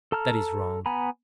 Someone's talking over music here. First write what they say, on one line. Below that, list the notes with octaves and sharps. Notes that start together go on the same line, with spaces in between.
That is wrong.
A4 A5 A#5 F6
B3 G#5 A#5 B5